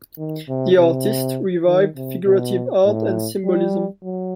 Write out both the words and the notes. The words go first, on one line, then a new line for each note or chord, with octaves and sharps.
The artists revived figurative art and symbolism.
D#3
C3
C3
D#3
C3
B2
A2
G3
F#3